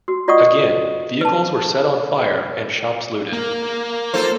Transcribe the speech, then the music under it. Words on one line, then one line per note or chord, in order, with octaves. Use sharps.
Again, vehicles were set on fire and shops looted.
F#4
F4 D5 D#5 F#5 C#6 D#6
B4 A5
A#3
F4 A4 C5